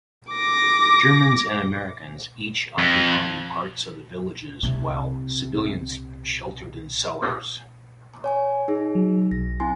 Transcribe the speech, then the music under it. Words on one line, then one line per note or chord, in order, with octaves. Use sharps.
Germans and Americans each occupying parts of the villages while civilians sheltered in cellars.
D6 A#6
F2
C2 C3
C#5 G#5
D#4 G#4
F#3
B1 A#6
C4 E4 G#5 C6